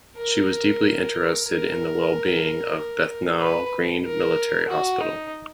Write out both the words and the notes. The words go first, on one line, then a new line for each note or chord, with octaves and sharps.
She was deeply interested in the well being of Bethnal Green Military Hospital.
A#4
A#4
B4
A#4
F#4
D#4